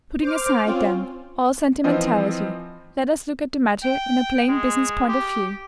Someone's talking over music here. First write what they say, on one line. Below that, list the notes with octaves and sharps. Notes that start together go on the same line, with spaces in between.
Putting aside, then, all sentimentality, let us look at the matter in a plain business point of view.
C5 D6 F6
C4 C#4 F4
E3 F3 C4 D#5
G5
G#3
G4